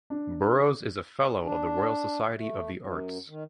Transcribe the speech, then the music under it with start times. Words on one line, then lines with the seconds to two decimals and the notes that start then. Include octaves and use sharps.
Burrows is a Fellow of the Royal Society of the Arts.
0.10 D4
1.44 D4
2.36 A3
2.76 F#2
3.28 D#3